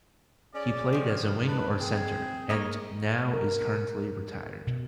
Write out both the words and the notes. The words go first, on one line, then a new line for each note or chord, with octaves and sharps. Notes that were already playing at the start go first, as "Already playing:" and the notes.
He played as a wing or centre and now is currently retired.
C#4 G#4 D5
D#3 F3
D4 D#4 B4
C4 G#4
A#3 C#5 D#5
A#4
B2